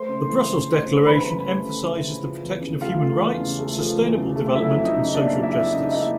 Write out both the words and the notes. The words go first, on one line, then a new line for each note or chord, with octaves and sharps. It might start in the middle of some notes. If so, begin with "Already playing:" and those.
The Brussels declaration emphasises the protection of human rights, sustainable development and social justice.
Already playing: A3 C5 C6
C#3
E3
C#3
A3
C#3
E3 B4 B5
C#3
A3
C#3
E3
C#3
F3
E2
C#3
A3 F4 F5
F3
E2
C#3
A3
F3
E2
C#3
A3
F#3 E4 E5
F2
D#4 D#5
C#3
A#3 D4 D5
F#3
E4 E5
F2
C#3 D#4 D#5
A#3 E4 E5